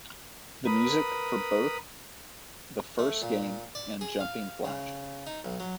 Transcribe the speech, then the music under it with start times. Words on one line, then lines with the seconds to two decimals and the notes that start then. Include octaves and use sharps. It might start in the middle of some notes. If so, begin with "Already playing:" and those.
The music for both the first game and Jumping Flash!
0.66 A#4 B4 B5 D#6
2.99 A3
3.22 A#2
3.75 D5
4.01 G#4
4.20 F5
4.65 C#3
5.27 D#4
5.44 B1
5.60 F#3